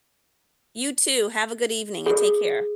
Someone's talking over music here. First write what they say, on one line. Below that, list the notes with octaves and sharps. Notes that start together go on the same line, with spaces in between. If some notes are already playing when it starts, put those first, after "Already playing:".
You too. Have a good evening and take care.
G#4